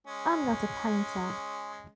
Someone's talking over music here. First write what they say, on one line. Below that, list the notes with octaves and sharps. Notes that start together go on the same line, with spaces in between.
I'm not a painter.
G#3 C#4